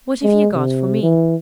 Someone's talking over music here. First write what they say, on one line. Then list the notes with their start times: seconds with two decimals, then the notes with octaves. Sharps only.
What have you got for me?'
0.23 G#3
0.54 C3
1.02 E3